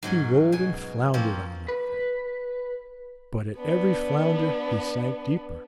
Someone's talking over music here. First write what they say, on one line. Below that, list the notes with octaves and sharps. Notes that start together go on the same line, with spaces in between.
He rolled and floundered on the thing, but at every flounder he sank deeper.
G#2 F#3 C#4 G#5
B2 G#5
F3 A#3 C4 C#4
B4
B3 D4